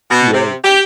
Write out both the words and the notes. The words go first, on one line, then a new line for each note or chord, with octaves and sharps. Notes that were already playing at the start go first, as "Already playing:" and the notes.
Yeah, th
B2
C3
G4